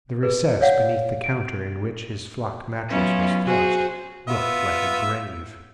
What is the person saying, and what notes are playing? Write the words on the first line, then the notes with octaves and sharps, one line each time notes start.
The recess beneath the counter in which his flock mattress was thrust, looked like a grave.
G#4 B4
C#5 D5 F5 F#5
D7
F#3 B3 C#4 E4 F4
F#4 G#4 C5
B3 F4 E5